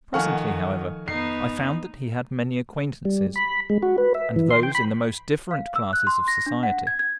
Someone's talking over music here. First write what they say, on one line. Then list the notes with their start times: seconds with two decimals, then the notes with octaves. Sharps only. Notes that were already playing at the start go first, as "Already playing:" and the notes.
Presently, however, I found that he had many acquaintances, and those in the most different classes of society.
0.14 D#3 F3 A4 F5 F#5 G#5 C#6 F6
1.08 F2 B3 D#4 C7
3.05 G3
3.36 B5
3.70 G#3
3.83 F#4
3.98 B4
4.15 E5
4.36 E3
4.51 C6
4.63 G5
4.75 B5
5.51 F5
5.76 E6
5.93 F#6
6.07 C6
6.28 A#6
6.46 D4
6.63 F#5
6.87 G#6
6.99 G#6